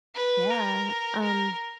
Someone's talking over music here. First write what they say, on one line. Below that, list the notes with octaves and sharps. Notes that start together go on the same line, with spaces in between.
Yeah, um,
B4
A#4
A#4